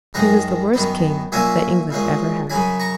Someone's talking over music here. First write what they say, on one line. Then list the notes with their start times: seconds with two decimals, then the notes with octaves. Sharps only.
He was the worst king that England ever had.
0.14 F#2 D#3 G#3 F#5 A#5
0.74 F#2 D#3 F#3 B3
1.32 A#2 F#3 A#3 C#4 E5 G#5
1.91 A#2 G#3 C#4
2.50 F#2 C#3 F#3 G#5 B5
2.80 A#5 C#6